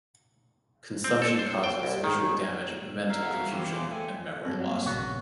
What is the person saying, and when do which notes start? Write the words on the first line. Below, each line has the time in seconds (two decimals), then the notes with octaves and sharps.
Consumption causes visual damage, mental confusion, and memory loss.
1.04 C4
1.22 A4
1.39 C5
1.64 G5
1.83 C2
2.04 D#3
3.09 A#4 E5 F5
3.22 G#4 C5 F#5
3.34 G3 F#4
3.52 E3 E4 F#4 G4 C6
3.72 G#3 F4 D6
3.91 A3 C4 G#5
4.45 G2 F#3 A#3 C4
4.86 A#1 C#3 B3 F#4